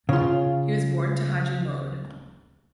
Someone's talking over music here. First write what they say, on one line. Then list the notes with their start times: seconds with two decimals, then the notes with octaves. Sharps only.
He was born to Haji Mohd.
0.09 C#3 F4